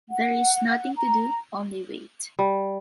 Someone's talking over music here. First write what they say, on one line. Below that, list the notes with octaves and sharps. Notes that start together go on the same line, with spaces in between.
There is nothing to do, only wait.
F#5
A#5
G3